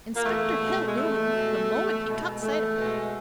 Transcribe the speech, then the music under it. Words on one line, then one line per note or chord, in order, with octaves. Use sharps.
Inspector Hill knew him the moment he caught sight of him.
A#3
E2 A3
B2 G#3
G#3
E2 A3
B2 G#3
E2
B2 G#3
E2 A3
B2 G#3